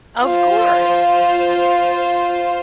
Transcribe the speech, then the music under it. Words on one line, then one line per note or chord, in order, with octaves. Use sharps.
Of course.
F4 C5